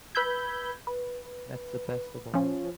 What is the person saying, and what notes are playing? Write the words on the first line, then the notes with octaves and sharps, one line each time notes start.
That's the best of all.
B4 B5 E6 G6 G#6
B4
F3 C#4